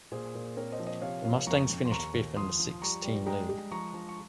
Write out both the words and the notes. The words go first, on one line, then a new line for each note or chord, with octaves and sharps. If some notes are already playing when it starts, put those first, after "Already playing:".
The Mustangs finished fifth in the six team league.
A#2 G#4 C5
A#2
C4 A#4 C#5
C5 D#5
F3
C5 D#5
C3 C#5 F5
A#3 C#5 F5
F2 A#5 C#6
F2
C6
D#2 A#5 C#6
D#2
F3 C6 D#6
F3
G3 A#5 C#6
G3
G#3 G5 A#5
G#3
F3 A#5 C#6
F3
C#6